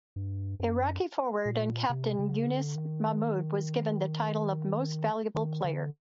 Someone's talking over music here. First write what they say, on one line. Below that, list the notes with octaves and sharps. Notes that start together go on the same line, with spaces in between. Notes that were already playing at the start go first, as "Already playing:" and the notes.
Iraqi forward and captain Younis Mahmoud was given the title of Most Valuable Player.
G2
F#2
A#2
C3
C#3
D3
D#3
D#3
D3